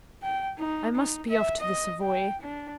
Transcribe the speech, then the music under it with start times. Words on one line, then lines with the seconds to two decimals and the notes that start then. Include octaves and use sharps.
"I must be off to the Savoy."
0.23 G5
0.58 D#4
0.95 D#4
1.29 E5
1.59 D#5
2.02 G5
2.41 D4